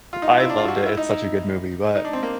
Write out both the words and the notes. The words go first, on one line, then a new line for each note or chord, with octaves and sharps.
I loved it, it's such a good movie, but
F4
D#4
F4
E4
D4
F4
F#4
F4
E4
D#4
D#4
D#4
D4
C4
A#3